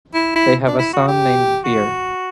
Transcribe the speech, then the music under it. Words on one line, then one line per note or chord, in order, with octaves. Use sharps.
They have a son named Veer.
E4
E4
D4
E4
F#4
G4
F#4